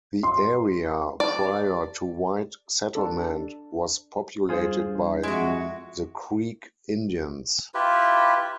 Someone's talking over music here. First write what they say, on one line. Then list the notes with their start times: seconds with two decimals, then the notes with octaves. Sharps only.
The area prior to white settlement was populated by the Creek Indians.
0.23 C6
1.20 D5 A5
2.95 D4 A4
4.49 G2 F4 G#4 C5
5.23 F2 G#3 E4 F#4
7.74 E4 F4 G4 B4